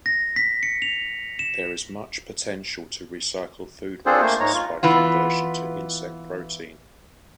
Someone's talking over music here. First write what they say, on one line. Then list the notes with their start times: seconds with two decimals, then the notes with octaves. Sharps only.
There is much potential to recycle food wastes by conversion to insect protein.
0.06 A#6
0.36 B6
0.63 C#7
0.82 F7
1.39 E7
4.06 C4 D4 F4 G#4 A4 C5
4.21 A3 A#3 C5
4.40 G#2 G#3 C#5 A#5
4.53 F4
4.83 E3 B3 F4